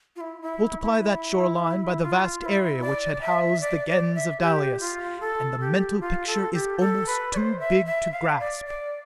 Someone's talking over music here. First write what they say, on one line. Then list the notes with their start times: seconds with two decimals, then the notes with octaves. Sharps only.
Multiply that shoreline by the vast area which had housed the Gens of Dalis, and the mental picture is almost too big to grasp.
0.16 F4
0.21 E4
0.42 E4
0.82 E4
2.02 F4
2.41 F4
2.46 E4
2.81 D5
3.21 E5
3.61 D5
3.88 D5
4.14 E5
4.40 G4
4.80 F4
5.20 A4
5.60 G4
6.00 F4
6.27 A4
6.53 G4
6.79 A4
7.06 B4
7.33 D5
7.37 C5
7.59 E5
7.86 E5
8.12 F5
8.39 D5
8.66 D5